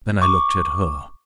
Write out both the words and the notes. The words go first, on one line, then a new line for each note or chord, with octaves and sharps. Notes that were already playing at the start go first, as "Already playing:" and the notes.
Then I looked at her.
C#6 D6